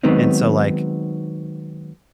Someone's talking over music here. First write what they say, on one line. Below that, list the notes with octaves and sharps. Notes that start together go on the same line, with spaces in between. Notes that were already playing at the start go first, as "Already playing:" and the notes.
and so, like,
D#3 F#3 G#3 B3 C4 D#4